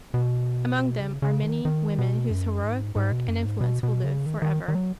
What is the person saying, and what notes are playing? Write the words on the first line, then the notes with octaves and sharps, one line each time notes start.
Among them are many women whose heroic work and influence will live forever.
B2
C#3
C#3
D#3
D#3
B2
F#2
G#2
G#2
B2
F#2
G#2
B2
B2
C#3
D#3
D#3
D#3
F#3